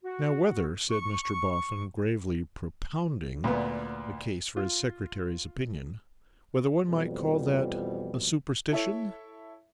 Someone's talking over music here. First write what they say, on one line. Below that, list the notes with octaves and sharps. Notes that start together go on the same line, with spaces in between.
'Now, whether,' said Mr Boffin, gravely propounding a case for his Secretary's opinion; 'whether one might call that a superstition?'
F#4
C#6
D2 A#2 B3
F4
F2 B2 E3 F3 G3
E4 A4 C#5 E5